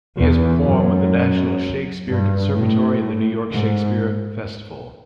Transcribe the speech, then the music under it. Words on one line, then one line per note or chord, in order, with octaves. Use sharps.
He has performed with the National Shakespeare Conservatory in the New York Shakespeare Festival.
E2
F#2
G2
A2
G#2